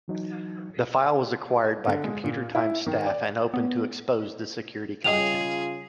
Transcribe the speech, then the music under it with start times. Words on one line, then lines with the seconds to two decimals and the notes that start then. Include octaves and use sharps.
The file was acquired by Computimes staff and opened to expose the security content.
0.08 E3 F#3 D#4
1.87 D3
2.04 G#3
2.24 A#2
2.55 E4
2.87 D#3
3.06 D5
3.54 B3
5.04 C#3 G3 F4 G#4 D#5 G5 F7